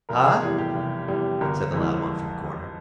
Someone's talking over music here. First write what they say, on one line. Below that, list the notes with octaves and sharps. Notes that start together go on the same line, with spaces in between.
"Huh!" said the loud one from a corner.
F1 A#4
G#4
E2 E3 G3 G#4
G4
F1
E2 E3 G3
G1 A#4
F2 E3 G#3